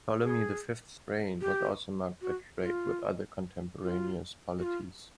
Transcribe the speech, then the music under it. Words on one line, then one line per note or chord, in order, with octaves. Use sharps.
Ptolemy the Fifth's reign was also marked by trade with other contemporaneous polities.
G#4
G4
F#4
F4
F4
F#4
F4